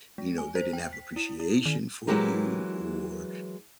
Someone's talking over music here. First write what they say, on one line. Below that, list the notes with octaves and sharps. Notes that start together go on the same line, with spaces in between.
you know, they didn't have appreciation for you? Or
G#3
G#5
C5
G5
B6
E4
E4
D#3
E3 F#3 G#3 G4 A#4 B4